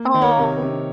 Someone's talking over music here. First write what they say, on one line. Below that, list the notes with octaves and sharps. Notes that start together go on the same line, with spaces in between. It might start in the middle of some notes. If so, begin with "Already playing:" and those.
Oh, n
Already playing: A#3
D#3
A#4 C#5
C3
C3